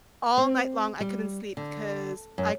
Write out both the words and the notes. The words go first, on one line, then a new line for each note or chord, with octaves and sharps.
All night long, I couldn't sleep because I c
C4
G3
D3
F#2